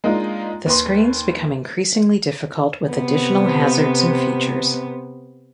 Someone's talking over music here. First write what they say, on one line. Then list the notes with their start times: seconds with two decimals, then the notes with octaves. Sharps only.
The screens become increasingly difficult with additional hazards and features.
0.04 G#3 A#3 D4 D#4 F4
0.66 D#2 B4 C6
2.91 C3 B3